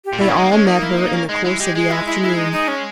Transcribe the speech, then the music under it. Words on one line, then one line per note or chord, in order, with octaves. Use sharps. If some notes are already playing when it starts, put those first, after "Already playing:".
They all met her in the course of the afternoon.
G4
A#2
B2 E4
A#3 C#4
G#3 D#4
A#3
G#3 C#4
A#3 D#4
E4
D#4
C#4
G#3 D#4
G#3 E4
G#3 G4
G#3 G#4
E4
E4
E4
D#4
D#4
C#4